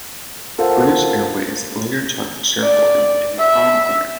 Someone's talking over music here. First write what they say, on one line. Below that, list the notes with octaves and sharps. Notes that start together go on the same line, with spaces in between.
British Airways later took a shareholding in Comair.
F4 A4 A#4 C5 F5 F#5
D5
E5